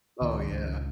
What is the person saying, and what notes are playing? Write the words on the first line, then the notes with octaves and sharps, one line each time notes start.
Oh, yeah.
C#2 D#3
C#2